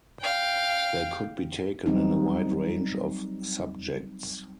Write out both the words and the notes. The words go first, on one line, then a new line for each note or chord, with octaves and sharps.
They could be taken in a wide range of subjects.
F5 G5
F#3 G3 C4 D#4